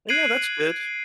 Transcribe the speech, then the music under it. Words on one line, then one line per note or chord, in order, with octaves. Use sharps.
Yeah, that's good.
F#6 G#6 C7 D7 D#7 F#7